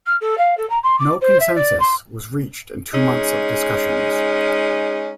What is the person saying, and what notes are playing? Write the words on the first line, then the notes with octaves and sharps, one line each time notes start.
No consensus was reached in two months of discussions.
F6
A4
F5
A4
A#5
C6
D6
C5
E5
D5
C6
G#3 C#4 D#4